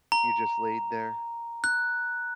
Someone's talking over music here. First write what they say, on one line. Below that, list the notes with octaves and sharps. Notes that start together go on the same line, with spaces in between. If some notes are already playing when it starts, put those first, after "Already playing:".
You just laid there?
A#5
F#6